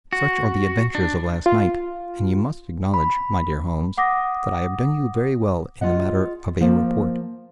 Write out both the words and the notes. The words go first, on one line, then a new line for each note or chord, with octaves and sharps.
Such are the adventures of last night, and you must acknowledge, my dear Holmes, that I have done you very well in the matter of a report.
F#4
D4
F4
B5
F#5 D6 D#6 A#6
F4 G#4 D#5 F#5
F3 A#3 C5